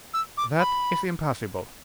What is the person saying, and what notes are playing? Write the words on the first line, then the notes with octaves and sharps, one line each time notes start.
"That is impossible."
E6
D6
B5